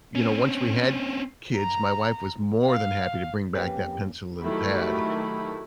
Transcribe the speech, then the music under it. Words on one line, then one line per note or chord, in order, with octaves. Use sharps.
you know, once we had k kids, my wife was more than happy to bring back that pencil and pad
C4 C#4
A#5
F5
F2 A#3 C#4 G4 B4
D#3 F#3 A3 E4 G4 B5